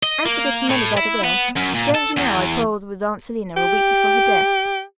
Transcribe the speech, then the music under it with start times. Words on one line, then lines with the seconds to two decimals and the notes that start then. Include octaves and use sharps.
As to getting money by the will, don't you know I quarrelled with Aunt Selina a week before her death.
0.03 D#5
0.26 A#3
0.70 A2
0.97 E4
1.24 B3
1.56 F#2
1.74 A#2
1.95 A4
2.18 E2
3.57 G4